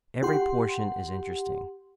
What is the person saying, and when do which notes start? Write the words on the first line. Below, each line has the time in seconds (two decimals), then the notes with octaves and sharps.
Every portion is interesting.
0.23 G4 F#5 C6